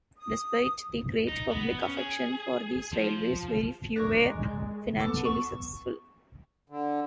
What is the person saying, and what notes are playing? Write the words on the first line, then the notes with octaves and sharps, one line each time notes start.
Despite the great public affection for these railways, very few were financially successful.
D#6
D#4
B3
C#4
G#4
F3
D4 A#4 C#5
G#3
B3 A4 A5 D6
A5 C#6 E6
D3